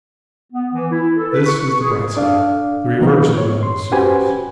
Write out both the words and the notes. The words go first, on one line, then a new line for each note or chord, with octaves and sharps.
This is the bright side; the reverse of the medal is serious.
B3
E3
E4
A4
B4
C#6
G#4
D4 A4 D5 F5
D#3 F3 A#3 B3 D#4
C#5
C6
C#4 F#4 G4 B4 C5 G#5